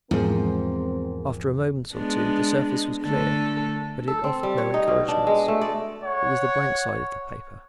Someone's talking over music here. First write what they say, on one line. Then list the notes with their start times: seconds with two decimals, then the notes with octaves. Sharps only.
After a moment or two the surface was clear, but it offered no encouragement; it was the blank side of the paper.
0.11 E2 G#2 F3 C4 A#4
1.93 G#3 B3 D4
3.02 D3 A3 A4
4.08 A4
4.24 C4
4.43 G3
4.58 C#5
4.74 D#4
4.88 B2
5.08 D4
5.27 G#3
5.48 A3
5.61 D5
6.05 C#5 F#5